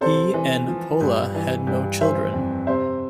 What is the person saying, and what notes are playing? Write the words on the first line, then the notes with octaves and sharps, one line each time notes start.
He and Pola had no children.
C3 A4 C5
E3
F3
G2
E3
G2
E3 C5 E5
F2
C3 C5 E5